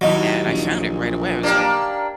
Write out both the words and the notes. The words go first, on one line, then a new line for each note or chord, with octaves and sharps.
and I found it right away. I was like,
D#2 F#3 D#4 E4
A#1
A#3 D4 G4